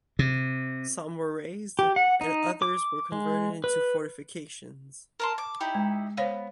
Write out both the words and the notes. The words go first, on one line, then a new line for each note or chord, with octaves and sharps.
Some were razed, and others were converted into fortifications.
C3
G4
F#5
D#4
D6
G#3
B4
A#4 A5 C6
D6
D#4 E4 G4
G#3
B3 C5 C#5 F5